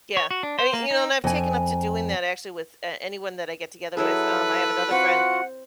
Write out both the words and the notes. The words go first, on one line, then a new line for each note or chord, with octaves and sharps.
Yeah. I mean, you know, and I've taken up to doing that actually with, uh, anyone that I get together with, um, I have another friend,
C#5
F#4
D4
C5
A#3
D#4
F2 G#5
F#3 E4 G#4 A4 B4
C4 F4 F#4 F#5